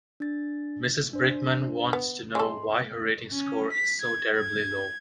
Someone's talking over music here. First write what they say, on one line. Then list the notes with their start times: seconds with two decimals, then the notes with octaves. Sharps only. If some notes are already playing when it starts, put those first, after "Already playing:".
Mrs Brickman wants to know why her rating score is so terribly low.
0.20 D4 A6
1.13 D4 C5
1.93 B3
2.35 G#3 A4 C6
3.32 C#4
3.72 B6
4.01 G#6
4.36 G#6